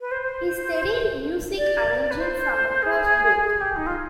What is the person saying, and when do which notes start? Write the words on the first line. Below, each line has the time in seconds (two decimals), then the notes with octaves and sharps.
He studied music arranging from a course book.
0.01 B4
0.11 C5
0.22 C5
1.57 D5
2.11 B4
2.20 C5
2.82 G#4
3.45 G#4
3.61 G4
3.76 D#4
3.87 F4